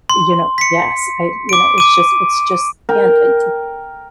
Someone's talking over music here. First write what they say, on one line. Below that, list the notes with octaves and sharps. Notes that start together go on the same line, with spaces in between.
you know yes, I you know, it's just it's just, and eh, j
C6
B6 C#7
D6 D7
D6 D#7
A#4 G5